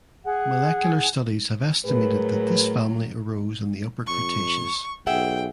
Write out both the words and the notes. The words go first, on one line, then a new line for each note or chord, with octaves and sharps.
Molecular studies have estimated that this family arose in the Upper Cretaceous.
G#4 F#5
A2 F#3 G#4 A#4 B4
F2 C#6
B1 G#4 E5 F#5 G5